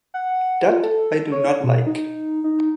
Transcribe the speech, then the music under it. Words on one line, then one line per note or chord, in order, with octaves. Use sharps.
That I do not like.
F#5
F4
A4
C#5
B2
D#4
D#4